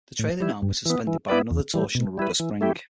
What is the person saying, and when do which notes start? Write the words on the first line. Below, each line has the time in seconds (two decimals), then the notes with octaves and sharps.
The trailing arm was suspended by another torsional rubber spring.
0.19 A2
0.40 G3 E4
0.62 G2
0.85 E3 B3
1.07 E3
1.28 B3 E4 B4 D5
1.51 E2
1.74 E3 G3
1.95 B2
2.18 G3 E4 B4
2.40 E3
2.61 A3 E4 G4